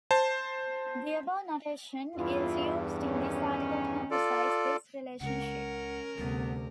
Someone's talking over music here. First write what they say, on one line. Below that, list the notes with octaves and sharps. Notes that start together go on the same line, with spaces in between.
The above notation is used in this article to emphasize this relationship.
C5 A5
E2 G2 E4 F4
D#3 C#4
F4 A4 D5
C#2 C#3 C#4 A#4 F#5
D2 C3 G3 B3